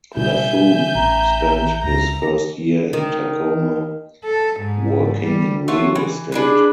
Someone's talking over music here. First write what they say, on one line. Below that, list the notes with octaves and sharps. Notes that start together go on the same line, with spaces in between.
Laffoon spent his first year in Tacoma working in real estate.
B2 G3 E5 G#5 G6
A1 C#4 A#5
C#2 A#5
D#3
A4
G#2
G3
A3 F4 F#4 C#5
E3
D4 G#4 B4